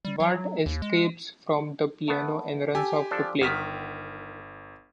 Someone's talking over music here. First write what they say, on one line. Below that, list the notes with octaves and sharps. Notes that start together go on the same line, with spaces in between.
Bart escapes from the piano and runs off to play.
G3
F#3
D#2
G#3
A3 B3
G4 A4 G#5
F3 D4 A4
G1 D#3 F#5 F6 B6